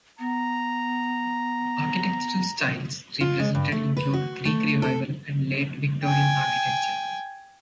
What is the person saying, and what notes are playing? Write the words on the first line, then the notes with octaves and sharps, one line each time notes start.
Architectural styles represented include Greek Revival and Late Victorian architecture.
B3 A#5
F4
G#3
G2
A3
B4
F#4
A3
A4
G5 G#5